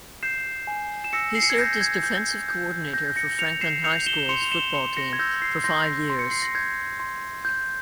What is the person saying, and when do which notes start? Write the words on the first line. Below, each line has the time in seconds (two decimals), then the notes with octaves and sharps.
He served as defensive coordinator for Franklin High School's football team for five years.
0.23 G6 C7 E7
0.67 G#5
1.04 E7
1.13 E6 A#6 C#7
1.35 C7
1.43 C#7
1.50 G#6 C7
1.58 G6 A#6
1.81 G#6
2.03 G6
2.49 G6
2.94 G6 A#6
3.16 A#6 C#7
3.39 G6 C#7 F7
3.61 C7 E7
3.84 G6 C#7 F7
4.06 E7 G7
4.18 E7
4.29 C6 C#7 F7
4.42 F7
4.52 E7 G7
4.74 C6 C#7 F7
4.97 A#6 C#7
5.13 G#6
5.19 E6 G6 A#6
5.42 G#6 C7
5.64 C6 G6 A#6
6.10 C6
6.19 C#7
6.31 C7
6.42 A#6
6.55 G6 G#6
7.00 C6
7.45 G6